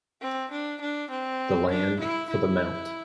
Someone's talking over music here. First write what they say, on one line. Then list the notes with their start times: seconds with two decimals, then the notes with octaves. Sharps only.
The land for the Mt.
0.21 C4
0.51 D4
0.81 D4
1.10 C4
1.70 D4
2.00 E4
2.30 E4